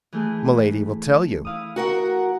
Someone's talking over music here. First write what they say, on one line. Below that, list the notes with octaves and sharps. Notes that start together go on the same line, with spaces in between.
"Milady will tell you."
E3 A3 G#4
E4 F5 D#6
F#4 A#4 F#5